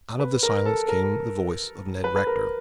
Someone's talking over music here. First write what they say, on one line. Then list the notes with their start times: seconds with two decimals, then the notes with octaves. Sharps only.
Out of the silence came the voice of Ned Rector.
0.20 B4
0.43 A#4
0.66 A4
0.88 A#4
2.04 B4
2.16 B4
2.27 A#4